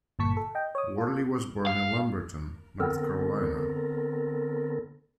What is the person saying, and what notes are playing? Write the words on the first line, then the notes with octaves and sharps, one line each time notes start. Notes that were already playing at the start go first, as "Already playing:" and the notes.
Worley was born in Lumberton, North Carolina.
G1 A#2 A5 C#6 B6 C#7
A4
D#5 G5
C#5 D#6
F4 A4
F5
D3 B3 C4 A4 A#4